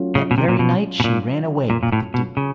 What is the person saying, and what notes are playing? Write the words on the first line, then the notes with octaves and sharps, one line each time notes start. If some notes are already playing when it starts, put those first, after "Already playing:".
That very night she ran away with the duke.
Already playing: F#3 A3 C#4 F4
C#3
B2
C3
A#2
B2
B2
A#2
A#2
A#2
A2
B2
C#3